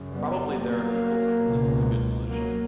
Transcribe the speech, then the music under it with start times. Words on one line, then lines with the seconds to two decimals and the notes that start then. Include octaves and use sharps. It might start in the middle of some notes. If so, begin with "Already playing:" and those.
Probably there are people for whom this is a good solution.
Already playing: F#2 C#3
0.12 G3 B3
0.55 F#3 A#3
1.42 C#2 B2
2.29 F#3 A#3